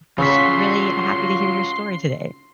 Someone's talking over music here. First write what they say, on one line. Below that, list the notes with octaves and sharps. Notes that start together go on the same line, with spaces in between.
was really happy to hear your story today.
C#3 F4 F#4 C#5 C6 C#6 E6 B6